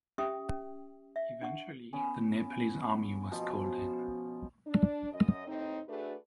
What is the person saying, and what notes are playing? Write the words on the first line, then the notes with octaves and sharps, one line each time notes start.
Eventually, the Nepalese Army was called in.
C#4 G4 E5 G5 C#6 D#6
C#4
E5
D4 F#5 C#6
B3 C#4
B2 F3
D4
F#2 D#5
D#2 A2 C4 D#4
A3 D4 F#4 G#4 A4 B4